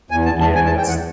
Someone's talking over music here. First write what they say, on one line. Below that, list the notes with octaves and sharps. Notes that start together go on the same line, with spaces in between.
Yeah, that's
E2 G#5
A5
E2
A5
E2 G#5
A5
E2 G5
F#5